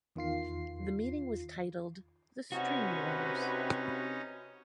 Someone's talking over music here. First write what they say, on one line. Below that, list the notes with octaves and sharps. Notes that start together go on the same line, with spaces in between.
The meeting was titled "The String Wars".
E2 D#3 F4 C7
C3 C#4 D#4 F#4 B4